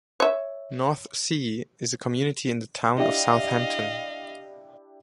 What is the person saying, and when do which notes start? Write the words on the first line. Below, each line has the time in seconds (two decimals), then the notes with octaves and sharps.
North Sea is a community in the Town of Southampton.
0.20 C#5 E5
2.98 D4 E4 G4 D#5 F5